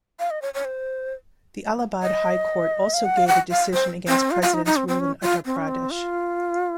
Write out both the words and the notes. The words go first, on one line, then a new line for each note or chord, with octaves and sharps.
The Allahabad High Court also gave a decision against President's rule in Uttar Pradesh.
F5
D#5
C#5
C#5
C5
D#5
F5
F#5
F5
F#5
F5
C5
C4
F4
F4
D#4
D#4
C4
C4
C#4
F4
C4
C#4
C4
F4